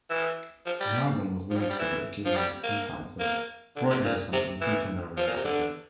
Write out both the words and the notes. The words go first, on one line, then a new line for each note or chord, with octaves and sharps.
An album was released for the occasion, entitled "Roy Henderson: A Centenary Recital".
E3
F3
G3
F3
G3
F3
G3
E3
F3
G3
A#3
A#3
D3
C3
A#2
C3
E3
F3
A#2
C3
D3